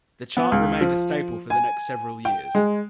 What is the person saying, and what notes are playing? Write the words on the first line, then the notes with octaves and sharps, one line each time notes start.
The chant remained a staple for the next several years.
B3
C#2
F3
G#5
G5
G#3